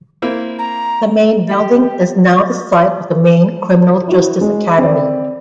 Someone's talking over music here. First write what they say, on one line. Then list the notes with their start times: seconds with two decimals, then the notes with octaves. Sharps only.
The main building is now the site of the Maine Criminal Justice Academy.
0.22 A#3 C4 E4
0.59 A#5
1.51 G4
4.08 E4 F#4
4.41 G#3
4.78 C4 D5